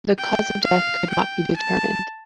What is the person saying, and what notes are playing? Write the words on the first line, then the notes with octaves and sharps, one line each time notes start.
The cause of death could not be determined.
G5
F5
G5
A5